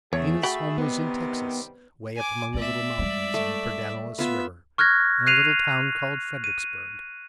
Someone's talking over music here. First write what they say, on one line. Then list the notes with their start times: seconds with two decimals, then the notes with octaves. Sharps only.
Lena's home was in Texas, away up among the little mountains on the Pedernales River, in a little town called Fredericksburg.
0.13 E2 A3 G#4 C#5 E5
0.43 F#4 G5 B5
0.78 C3 D#3 G3 B3
2.16 G#5 D6
2.55 A3 B3 D5 E5
2.99 G3 G#3
3.34 A3
4.19 B3 F4 B4 E5
4.78 C#6 F6 F#6 G#6 A#6
5.27 F#6 C7 D#7 F7
6.44 D#7